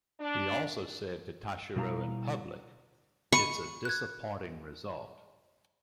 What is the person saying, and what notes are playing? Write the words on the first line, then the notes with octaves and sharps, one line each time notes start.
He also said to Tashiro in public, It's a disappointing result.
D4
B2 G3 E4 F5 G#5 A#5
B5 C#6 D#7
F#6 G#6